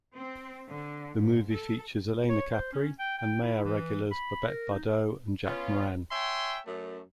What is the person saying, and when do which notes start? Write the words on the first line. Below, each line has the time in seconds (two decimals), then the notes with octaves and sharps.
The movie features Alaina Capri and Meyer regulars Babette Bardot and Jack Moran.
0.14 C4
0.69 D3
1.14 G#2
1.49 A4
2.29 C#5
2.51 C5
2.73 C#4
2.99 G5
3.18 G5
3.42 E4
3.64 E3
4.11 B5
4.47 A#4
4.71 D#4
5.46 B3 C#4 F4
6.11 C#5 E5 G5 G#5 C6
6.66 F#2 A3